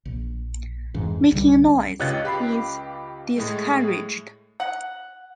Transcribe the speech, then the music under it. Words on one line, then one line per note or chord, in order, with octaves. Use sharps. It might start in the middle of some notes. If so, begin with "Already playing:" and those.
Making noise is discouraged.
A#1
F2 G#2 E3
C2 D3 G3
C#2 G4 C#5 D#5 F#6 A6
G4 B5 C7
A2 G#3 A3
F#5